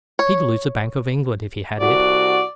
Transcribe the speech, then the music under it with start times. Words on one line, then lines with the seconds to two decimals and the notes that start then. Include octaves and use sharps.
He'd lose the Bank of England if he had it.
0.19 C#5
1.80 C2 F#4 D5